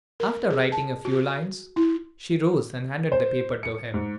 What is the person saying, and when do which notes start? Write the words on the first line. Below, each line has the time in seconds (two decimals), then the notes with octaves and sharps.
After writing a few lines, she rose and handed the paper to him.
0.20 A#4
0.50 G#4
0.72 A5
1.05 F#4
1.76 E4
3.12 C5
3.63 C#7
3.94 G#2